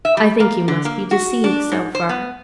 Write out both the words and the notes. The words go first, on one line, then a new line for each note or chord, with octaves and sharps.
I think you must be deceived so far.
E5
G3
A#3
D3
A#3
F#4
D4
G#2
C5
B3